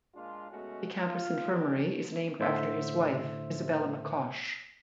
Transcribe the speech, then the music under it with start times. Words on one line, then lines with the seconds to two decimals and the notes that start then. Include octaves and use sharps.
The campus infirmary is named after his wife, Isabella McCosh.
0.14 A#2 G#3 D4 F4
0.51 B2 G#3 A3 C#4 F#4
0.96 F4
1.52 D2 F#3 A3 D4 G4
2.39 A2 D3 C5 E5